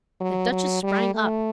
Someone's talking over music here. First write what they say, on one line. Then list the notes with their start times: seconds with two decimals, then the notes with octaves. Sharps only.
The Duchess sprang up.
0.20 F#3
0.52 F#3
0.83 G3
1.15 A3